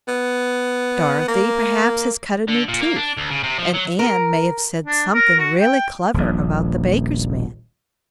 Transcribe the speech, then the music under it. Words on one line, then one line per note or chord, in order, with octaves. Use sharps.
Dorothy perhaps has cut a new tooth and Anne may have said something really clever about the baker's man.
B3
A#3
D3
A#2
A#3
D4
D2
C#3
C3
F3
F#3
A#4
D4
A#4
F#4
G5
D#1 A#1